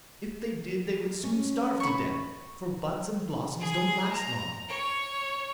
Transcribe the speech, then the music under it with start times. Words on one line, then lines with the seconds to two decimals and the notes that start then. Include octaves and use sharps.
If they did they would soon starve to death, for buds and blossoms don't last long.
1.24 C#4
1.80 B5 C#6
3.60 G#4
4.10 A#5
4.67 C#5